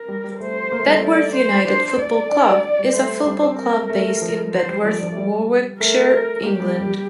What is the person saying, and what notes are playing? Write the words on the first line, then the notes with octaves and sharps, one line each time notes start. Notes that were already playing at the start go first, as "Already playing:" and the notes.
Bedworth United Football Club is a football club based in Bedworth, Warwickshire, England.
Already playing: A#4
G3
G3
A3 C5
A#3
A3
G3
A3
D5
C5
D4 C5
D5
D4
G3
A3 C5
G3 C5
C4
A#4
A3
F3
F3 C5
G3
F3 D5
F3
A3
G3
A3 A#4
A#3 G4
G3
G3